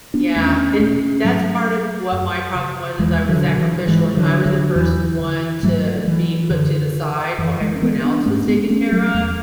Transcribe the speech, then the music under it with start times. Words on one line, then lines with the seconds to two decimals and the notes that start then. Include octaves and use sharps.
Yeah. And that's part of what my problem was, as I was sacrificial and I was the first one to be put to the side while everyone else was taken care of.
0.14 B3 D4
0.36 E2 A3 C#4
0.80 B2 A3 C#4
1.24 G#2 F#3 A3
2.12 F#2
2.55 C#3
2.99 E2 E3 G#3
3.29 D3 F#3
3.44 B2
3.58 E3
3.87 G#2 E3 G#3
4.17 D3 F#3
4.46 D3 F#3
4.75 E2 E3
5.19 D3
5.63 G#2 F#3 A3
6.08 E3
6.50 F#2 D3
6.95 D3
7.38 F#2 E3
7.61 E3 G#3
7.76 C#4
7.82 D3 G#3 B3
8.04 B3 D4
8.26 G#2 A3 C#4
8.41 C#4
8.48 G#3 B3
8.70 A3 C#4
8.92 F#3 A3
9.14 E2 F#3 A3